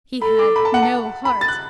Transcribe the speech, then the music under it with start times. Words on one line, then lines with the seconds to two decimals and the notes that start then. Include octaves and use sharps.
He had no heart.
0.22 A4 B5
0.39 D6
0.56 B5
0.65 A5
0.74 F#5
0.82 A5
1.25 B5
1.41 A6
1.48 F#6